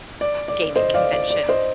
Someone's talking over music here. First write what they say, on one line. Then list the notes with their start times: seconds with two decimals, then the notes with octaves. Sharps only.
gaming convention,
0.21 D5
0.48 D5
0.76 C5 D#5
0.94 D5 F5
1.13 D5
1.30 D5
1.49 C5 D#5